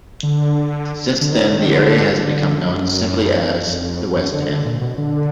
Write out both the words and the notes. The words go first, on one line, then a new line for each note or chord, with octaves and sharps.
Since then the area has become known simply as "The West End".
D3
D3
D#3
D3
D#3
D3
D3
F#2
F2
F#2
D3
D3
A#2
B2
D3